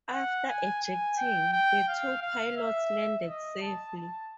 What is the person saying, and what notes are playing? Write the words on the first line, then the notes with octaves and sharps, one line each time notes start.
After ejecting, the two pilots landed safely.
F#5
G#5
G#5
G5
G5
F5
F5
E5
D#5
A5
A5